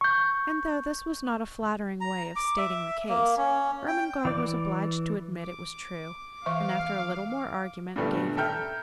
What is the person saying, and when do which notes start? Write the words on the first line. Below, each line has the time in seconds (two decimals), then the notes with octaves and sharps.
And though this was not a flattering way of stating the case, Ermengarde was obliged to admit it was true, and, after a little more argument, gave in.
0.01 C#6 G6
2.01 A#5
2.36 D6
2.58 E5
3.09 A#3
3.37 C#4
3.88 G5
4.25 E3 D5 D6
5.42 D6
6.46 E3 E5 F5 C#6
7.96 G2 A#2 D3 G3 A3 B3
8.37 A4 E5 G5 A#5 F6 G6